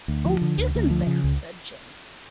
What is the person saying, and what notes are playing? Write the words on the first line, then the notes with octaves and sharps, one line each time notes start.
'Oh, isn't there!' said Jane.
D2
F3
D3
D2
D2
F3
C#3
C#2